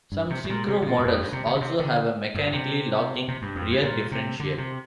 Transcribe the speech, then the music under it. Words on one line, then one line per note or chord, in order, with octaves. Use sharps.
Some syncro models also have a mechanically locking rear differential.
G2
C3
G2
A#2
C3
C3
A#2
G2
F2
G2
C3
C3
D3
C3
D3
G2
D3
C3
C3
G2
F2
G2
A#2
C3
D3
C3